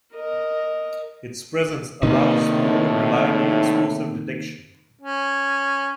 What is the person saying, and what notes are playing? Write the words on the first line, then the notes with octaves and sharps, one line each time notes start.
Its presence allows more reliable explosive detection.
A#4 D#5
C3 D#3 F3 A#3 D#4 B4
A2
C#4